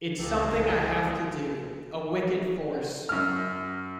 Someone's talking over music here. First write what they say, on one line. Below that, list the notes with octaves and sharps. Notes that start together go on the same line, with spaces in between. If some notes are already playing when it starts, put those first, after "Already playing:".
It's something I have to do - a wicked force.
C#2 G#3 A#3 G4 A4
C#4 C#5
E3 F3 D#4 A4
C#5
C4 D#6
G#3 A#3
F#2 F6